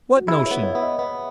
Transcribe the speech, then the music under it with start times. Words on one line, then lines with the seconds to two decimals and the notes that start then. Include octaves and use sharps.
"What notion?"
0.16 F#4
0.28 E4 G#4
0.46 C#5
0.51 B3
0.63 C#5
0.73 B3 E5
0.81 D#5
0.99 B3